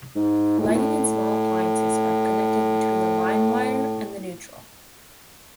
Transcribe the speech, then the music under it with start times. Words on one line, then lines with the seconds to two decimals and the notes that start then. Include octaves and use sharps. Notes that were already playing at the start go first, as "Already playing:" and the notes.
Lighting and small appliances are connected between a line wire and the neutral.
0.16 G#2
0.59 A2
0.68 A#2
0.75 A2